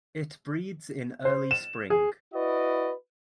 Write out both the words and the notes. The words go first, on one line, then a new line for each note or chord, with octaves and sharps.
It breeds in early spring.
C5
E7
G#4
E4 F#4 B4 D5 D#5